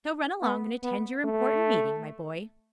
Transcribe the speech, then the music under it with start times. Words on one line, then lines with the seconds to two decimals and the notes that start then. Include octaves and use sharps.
"Now, run along and attend your important meeting, my boy."
0.42 B3
0.83 B3
1.24 A3